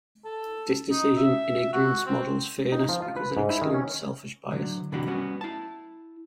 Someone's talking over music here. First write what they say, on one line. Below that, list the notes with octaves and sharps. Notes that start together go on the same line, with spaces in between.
This decision-in-ignorance models fairness because it excludes selfish bias.
A4
D#4
E5
F#4
C4
D#4
F3
F4
B4
G#2
E4
D#3
C#4
D3 F#3
C3 E3 D4 F#4 G4
G3 B3 C#4 F#4
E4 A5